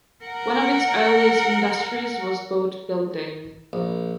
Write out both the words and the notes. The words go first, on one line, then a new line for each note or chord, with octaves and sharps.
One of its earliest industries was boat building.
A#4 F#5
A#1